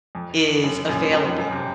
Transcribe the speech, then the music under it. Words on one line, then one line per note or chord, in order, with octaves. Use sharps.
is available
F2
F#2
F#2 A#2
F#2
F2
F#2
C3